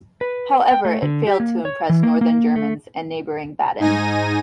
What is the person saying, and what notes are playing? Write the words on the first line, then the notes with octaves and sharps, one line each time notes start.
However, it failed to impress Northern Germans and neighboring Baden.
B4
G5
A3
D3
G4
A#3
C#5
E3
A#3
A#3
A3
G#2 D#4 G#5 A#6 D#7